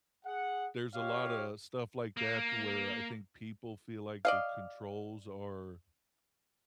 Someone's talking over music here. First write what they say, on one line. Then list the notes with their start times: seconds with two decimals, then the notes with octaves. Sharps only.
there's a lotta stuff like that to where I think people feel like the controls are
0.25 G#4 F#5
0.95 F4 G4 C#5 D#5 F5
2.17 A#3
4.25 D5 D#5 F5